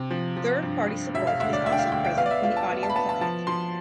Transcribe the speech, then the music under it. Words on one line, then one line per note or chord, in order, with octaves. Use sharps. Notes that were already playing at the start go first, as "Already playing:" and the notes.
Third-party support is also present in the audio client.
Already playing: C3
F3
F3
G2
G2
E1 E5
F5
D2 E5
D5
D2 E5
G5
F5
D2 G5
G5
B3 F5
D5
E5
F4 F5
A5
B3
A5
B5
B3 A5
A5
F3 A5
F3 C6